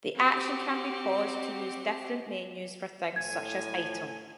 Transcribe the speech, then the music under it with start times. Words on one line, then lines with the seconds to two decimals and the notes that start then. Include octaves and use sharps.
The action can be paused to use different menus for things such as item.
0.15 C4 F#4 G4
3.16 A2 G#5 G#6